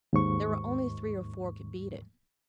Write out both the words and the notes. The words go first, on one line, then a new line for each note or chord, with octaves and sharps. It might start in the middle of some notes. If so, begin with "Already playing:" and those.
There were only three or four could beat it.
D#2 G#2 C#6